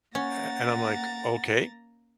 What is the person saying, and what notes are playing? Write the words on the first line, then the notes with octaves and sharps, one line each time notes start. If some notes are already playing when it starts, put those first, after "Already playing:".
Eh a and I'm like, "Okay.
A#3 C#4 F#5 A#5 A6